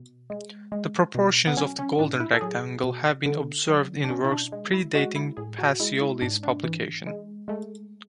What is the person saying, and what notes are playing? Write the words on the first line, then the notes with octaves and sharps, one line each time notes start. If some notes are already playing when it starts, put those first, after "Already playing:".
The proportions of the golden rectangle have been observed in works predating Pacioli's publication.
Already playing: B2
G#3
G#3
B2
B3
F#3 C#4
C#4
A2 D4
E4
A4
F#3 G#4
B2
D3
F#3
D4
B2 C#4
E4
D4
G#3
E4
G#3 F#4
E4
A2 G#4
F#4
G#3 E4
E4
G#2 D4
D4
E3
G#3
G#3 A3